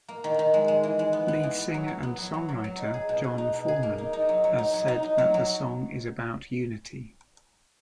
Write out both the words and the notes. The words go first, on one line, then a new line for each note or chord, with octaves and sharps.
Lead singer and songwriter Jon Foreman has said that the song is "about unity".
A#3
D#3
D#3
G#3
G#3
E3
G#3
B3
B3
E3
B3
F#3
F#3
B3
F#3
F#3
F#3
F#3
D#4
G#4
B2
B2
D#4
B2
G#4
A#3
D#4
D#4
F#3
F#3
D#4
F#3
D#4
D#4
F#3
F#3